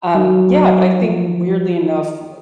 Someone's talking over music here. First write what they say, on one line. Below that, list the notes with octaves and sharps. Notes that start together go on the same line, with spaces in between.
um, yeah, but I think, weirdly enough, m
F#3
F3